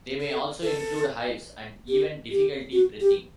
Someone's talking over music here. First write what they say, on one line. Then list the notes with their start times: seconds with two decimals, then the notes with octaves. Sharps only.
They may also include hives and even difficulty breathing.
0.21 A4
0.63 A4
1.88 G4
2.30 G4
2.72 F#4
3.00 G4